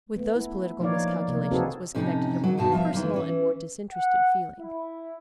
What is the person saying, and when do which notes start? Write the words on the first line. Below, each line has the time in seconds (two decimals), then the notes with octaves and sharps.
With those political miscalculations was connected a more personal and more disinterested feeling.
0.16 A3 B3
0.36 E4
0.80 F3 A#3 D#4 C#5 D5 F5
1.28 C3 A#3
1.51 C4 D#4 F#4 G#4 A4 B4
1.95 F2 A2 C3 C#4 D#4
2.44 C#3 F#3
2.57 E2 G2 B2 D#3 F#4 A5
2.72 F3 F4 E5 F5
2.93 F#2 D#3 E3 F4
3.14 E3 C#4
3.91 F#5
4.59 E4